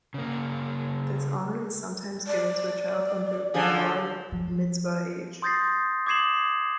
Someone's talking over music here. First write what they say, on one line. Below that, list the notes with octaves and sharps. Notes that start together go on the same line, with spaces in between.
This honor is sometimes given to a child under Bar Mitzvah age.
C#3 A#3
D5
D3 F3 G#4
F3
C6 D#6 G6 A6 A#6 C7
D6 D#6 G#6 C7 E7 F#7